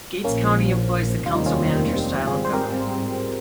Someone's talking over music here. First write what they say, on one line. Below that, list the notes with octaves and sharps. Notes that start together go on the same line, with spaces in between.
Gates County employs the Council-manager style of government.
A#1 A#2 F3 A#3 C#4
F1 D#2 D#3 G3 C4 F4
D#4
C#4 F4
G#2 G3 C4 F4 G#4
C5
G4 A#4